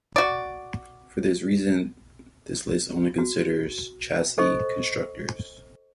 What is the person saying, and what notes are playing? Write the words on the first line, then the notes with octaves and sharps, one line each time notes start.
For this reason, this list only considers chassis constructors.
F#4 D5
F#4
A4 C5 D#5 C#6